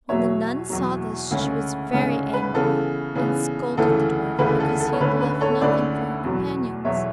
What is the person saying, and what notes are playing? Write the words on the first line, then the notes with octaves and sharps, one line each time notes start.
When the nun saw this she was very angry, and scolded the dwarf because he had left nothing for her companions.
E2 B2 F#3 C#5 E5
E2 B2 F#3
D2 C#3 G#3 C#4
D2 C#3 G#3 C#4
B4
C#3 E3 B3 A4
C#3 E3 B3
D2 C#3 E3 A3 A4
D2 C#3 E3 A3 B4
A4
A4
C#5
D2 D3 A3 C#4 B4
B4
A4 C#5
D2 D3 A3 C#4 B4 D5
E2 B2 F#3
E2 B2 F#3 C#5 E5